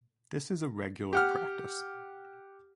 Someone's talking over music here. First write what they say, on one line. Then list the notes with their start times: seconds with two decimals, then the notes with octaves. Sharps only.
This is a regular practice.
1.13 G4 F#5 F6